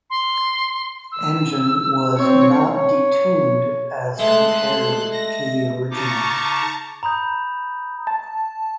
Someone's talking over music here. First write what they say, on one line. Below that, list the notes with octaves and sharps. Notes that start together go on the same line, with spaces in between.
Engine was not detuned as compared to the original.
C6
E6
C4 C#5
C#5
G#3 A3 A4 C6 F#6
A#6
C#3 D#4 A5 A#5 C#6 D6
A#5 B5 D#6 G6
A5